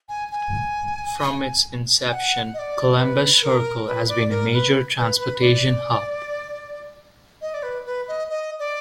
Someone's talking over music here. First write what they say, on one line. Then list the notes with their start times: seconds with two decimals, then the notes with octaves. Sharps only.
From its inception, Columbus Circle has been a major transportation hub.
0.09 G#5
0.31 G#5
2.09 G#5
2.13 F#5
2.54 D#5
2.59 D5
2.97 B4
3.42 A#4
3.87 B4
4.09 D5
4.31 A#4
4.53 B4
4.98 B4
5.19 B4
5.41 D5
7.41 D#5
7.54 D5
7.63 B4
7.86 B4
8.08 D#5
8.30 D#5
8.59 D5